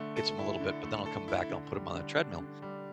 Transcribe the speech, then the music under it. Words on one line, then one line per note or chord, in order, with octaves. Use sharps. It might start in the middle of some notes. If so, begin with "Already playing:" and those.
Gets them a little bit but then I'll come back and I'll put 'em on a treadmill,
Already playing: D3 A3
A4
E4
D3
A3
A4
E4
D3
G3
D3
D4
D3
G3